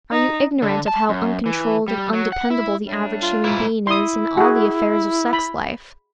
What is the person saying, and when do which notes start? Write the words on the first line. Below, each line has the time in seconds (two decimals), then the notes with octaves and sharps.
Are you ignorant of how uncontrolled and undependable the average human being is in all the affairs of sex life?
0.11 D#4
0.62 D3
0.88 A5
1.09 F#2
1.46 E3
1.88 G3
2.13 F#3
2.32 F#5
2.50 E4
2.87 A2 G3 D4
3.22 F4
3.45 G#2 E4
3.87 E4 C6 D#6
4.37 F#4 G#4
5.33 B5